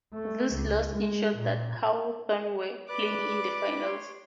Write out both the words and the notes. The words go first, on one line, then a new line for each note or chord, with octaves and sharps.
This loss ensured that Hawthorn were playing in the finals.
A3
C#2
G#3
A#2
B4 D5 D6 F#6
C#5 C6